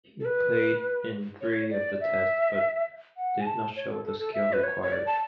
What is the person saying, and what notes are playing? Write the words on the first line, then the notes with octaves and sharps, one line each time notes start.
He played in three of the Tests but did not show the skill required.
A4
B4
C#5
D5
E5
F#5
G#5
A5
C#5
A4
A4
A4
E5
B4
C#5
C#5
D5
A5